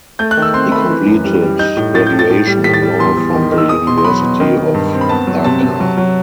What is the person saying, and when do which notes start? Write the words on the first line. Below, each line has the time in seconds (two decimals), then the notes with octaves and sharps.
He completed graduation in law from the University of Dhaka.
0.19 A3 G6
0.31 F#6
0.37 D#3
0.42 E6
0.54 C4 C6
0.72 A3 B5
0.89 E3
1.06 F#2
1.25 G3
1.42 G3
1.59 D#4 G6
1.77 A2
1.94 A2 A6
2.07 G6
2.12 A2
2.19 A6
2.30 A2
2.47 G3
2.64 A2 B6
2.74 A6
2.82 G3
2.99 E2 C6
3.17 E2
3.35 D#3
3.52 D#3
3.58 E6
3.69 E2 D#6
3.87 B2 C6
3.98 C6
4.05 F#3 B5
4.22 B2
4.40 D#3
4.57 D#3
4.74 G2
4.93 C4
5.01 B5
5.09 B3 A5
5.27 F#3
5.44 C3 A5
5.63 C3
5.80 F#3
5.97 F#3